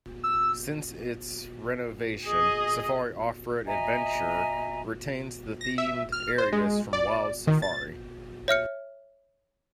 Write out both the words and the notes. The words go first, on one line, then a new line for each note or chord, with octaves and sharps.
Since its renovation, Safari Off Road Adventure retains the themed areas from Wild Safari.
E6
G#4 D#5
D#5 E5 G#5 A#5
A#6
E5
F6
C5
G#3
D5
D#3
A6
C#5 E5 F6 C#7